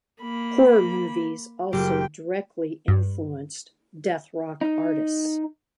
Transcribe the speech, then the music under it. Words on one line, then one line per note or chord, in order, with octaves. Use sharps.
Horror movies also directly influenced deathrock artists.
A#3 B5
F#1 G4 G5
G2
D#4